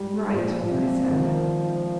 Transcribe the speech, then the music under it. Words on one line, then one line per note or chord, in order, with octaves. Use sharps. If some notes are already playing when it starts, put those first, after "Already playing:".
"Right," I said.
Already playing: G#2 G3
A#2 F3
A#2
C3
D#3